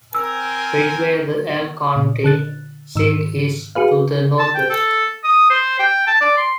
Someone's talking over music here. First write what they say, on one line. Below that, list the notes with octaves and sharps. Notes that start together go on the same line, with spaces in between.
Ridgway, the Elk County seat, is to the northwest.
C4 A#4 G#5 E6
A#2
D3 F#6 A6
G#2 D#3 E6
F#4 G#4 B4 F5
A5
G5
A4
D#6
C5
G5
A5
D5
C6